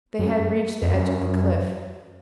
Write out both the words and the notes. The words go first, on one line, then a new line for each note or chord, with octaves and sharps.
They had reached the edge of the cliff.
F#2
F2
F#2